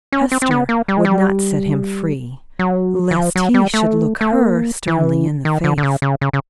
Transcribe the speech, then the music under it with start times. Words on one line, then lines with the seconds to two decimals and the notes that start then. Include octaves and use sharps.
Hester would not set him free, lest he should look her sternly in the face.
0.12 C#4
0.32 C4
0.42 C4
0.51 B3
0.69 A#3
0.88 G3
0.97 G#3
1.05 G3
2.59 F#3
3.11 E3
3.16 F3
3.36 F#3
3.54 G3
3.74 A3
4.21 A3
4.31 A#3
4.87 E3
5.45 D#3
5.64 D3
5.78 D3
5.83 C#3
6.02 C#3
6.21 C#3
6.33 C#3